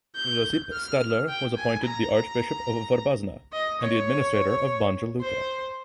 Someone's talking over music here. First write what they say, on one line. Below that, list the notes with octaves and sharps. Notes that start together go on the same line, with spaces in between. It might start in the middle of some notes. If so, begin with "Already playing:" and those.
Josip Stadler was appointed the Archbishop of Vrhbosna and Administrator of Banja Luka.
G6
F6
G5
G#5
A#5
D#5
C#5
C5